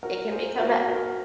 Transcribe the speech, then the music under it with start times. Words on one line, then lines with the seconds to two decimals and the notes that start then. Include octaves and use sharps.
it can become a
0.03 F#4 A#4
0.31 G#4 C5
0.49 C5
0.60 F#4 A#4
0.89 F#4 A#4